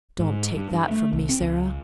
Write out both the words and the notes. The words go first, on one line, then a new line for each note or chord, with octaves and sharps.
Don't take that from me, Sara.
G#2
G2
G2
A3
C2
C4
C#2